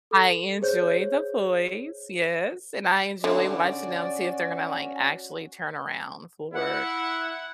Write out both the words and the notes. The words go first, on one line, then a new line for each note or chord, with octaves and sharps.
I enjoy The Voice, yes, and I enjoy watching them see if they're gonna, like, actually turn around for,
A4
G#4 C5 C#5 G6
D3 C#4 F#4 D5
E4 F#5